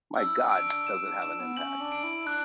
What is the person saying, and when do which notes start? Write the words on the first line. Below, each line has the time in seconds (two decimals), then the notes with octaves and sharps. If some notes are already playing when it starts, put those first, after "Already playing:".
my god, does it have an impact.
0.17 D4 E6
0.26 E4
0.37 D4
0.46 C#4
0.52 D4 D7
0.87 E7
1.04 D4
1.21 D4 E7
1.40 B3
1.57 C#4 F#7
1.80 D4
1.92 D7
2.03 E4
2.26 D4 F#6